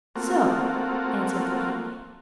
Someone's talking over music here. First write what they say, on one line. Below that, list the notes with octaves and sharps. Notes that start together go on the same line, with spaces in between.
"So," answered the abbe.
A3 A#3 C4 F4 F#4